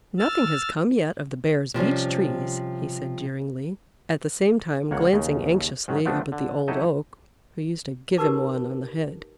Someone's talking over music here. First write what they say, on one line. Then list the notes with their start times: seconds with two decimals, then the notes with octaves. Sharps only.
"Nothing has come yet of the Bear's Beech Trees," he said jeeringly, at the same time glancing anxiously up at the Old Oak, who used to give him one on the head.
0.19 E6 F6 A6
1.74 C3 F3 G3 C#4
4.91 C#2 A#3 C#5 F#5
5.13 D#2 C#3
5.88 G#2 D#3 F#3
6.06 F3 A3 B3 C4 D4
6.32 D3
6.68 F#3 D#4 E4 G4 A4 D#5
8.18 D#4 G4 A#4 B4 A5 D6